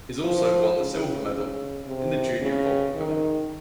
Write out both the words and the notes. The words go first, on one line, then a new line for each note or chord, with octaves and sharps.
He also won the silver medal in the junior vault event.
F3
C#3
C#3
C3
C#3
D#3